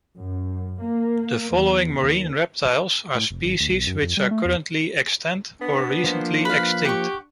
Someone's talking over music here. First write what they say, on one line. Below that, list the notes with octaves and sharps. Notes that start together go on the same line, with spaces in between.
The following marine reptiles are species which are currently extant or recently extinct.
F#2
A#3
E2
D#2
A2
F1
G#1
D2
B1
F#2
F2
G3
A3
E2
B3 D4
F3 A#3 C5
B4 F5 B5
G4 F#5 C#6